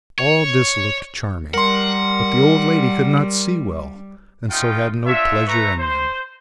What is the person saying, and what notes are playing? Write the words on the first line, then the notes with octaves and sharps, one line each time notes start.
All this looked charming, but the old lady could not see well, and so had no pleasure in them.
C#5
G3 A#4 F#5 C6
G3 A3 C#4 D#4 F4 G5
D4 F4 C#5 E5
A3 B4 E5 A#5 C#6
C5